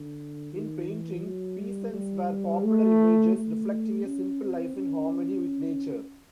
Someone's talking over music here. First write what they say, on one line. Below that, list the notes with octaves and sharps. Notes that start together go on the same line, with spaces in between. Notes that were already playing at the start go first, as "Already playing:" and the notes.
In painting, peasants were popular images, reflecting a simple life in harmony with nature.
Already playing: D3
D#3
E3
F#3
G3
G3
A3
A3
C#4
C4
C#4